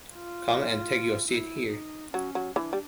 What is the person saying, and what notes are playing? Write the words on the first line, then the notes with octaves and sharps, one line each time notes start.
Come and take your seat here.
F4
E4
D#4
F#3 C#4
F#3
E3 D4
G3